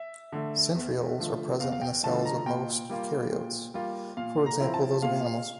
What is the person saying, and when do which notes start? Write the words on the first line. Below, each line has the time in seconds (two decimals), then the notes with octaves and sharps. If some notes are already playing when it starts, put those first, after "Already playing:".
Centrioles are present in the cells of most eukaryotes, for example those of animals.
Already playing: E5
0.32 D3 A3
0.75 E2
1.18 D3 F3 A3
1.60 E2 F5
1.72 F5
1.81 G5
2.03 D3 F3 A3 A5
2.25 A#5
2.46 A#2 G5
2.89 G3 A#3 F4
3.31 A#2
3.74 G3 A#3 F4
4.17 A#2 F5
4.46 A#5
4.60 F3 C4 E4
4.74 A5
5.02 A#2 F5